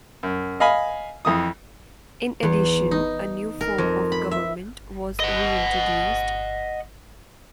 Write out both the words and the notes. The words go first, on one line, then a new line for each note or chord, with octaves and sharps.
In addition, a new form of government was reintroduced.
F#2
D#5 F5 G#5 B5
F2 E3 D#6
E2
D#4
A#4
F2
B5
E5
D#5 F#5